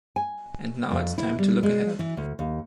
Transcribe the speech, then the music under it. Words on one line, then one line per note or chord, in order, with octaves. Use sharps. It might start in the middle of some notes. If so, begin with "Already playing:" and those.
And now it's time to look ahead.
G#5
F2
E4
G3
G#3
E3
D2
D#2